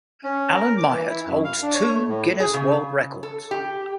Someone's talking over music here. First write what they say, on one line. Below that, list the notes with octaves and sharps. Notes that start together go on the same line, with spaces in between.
Alan Myatt holds two Guinness World Records.
C#4
A#4
D6
E3
E4
F#2
F5
D4
C#5
A3
A2
G#4
C#3
A4
G4